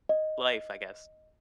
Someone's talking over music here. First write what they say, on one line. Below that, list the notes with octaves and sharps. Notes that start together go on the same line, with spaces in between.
life, I guess
D#5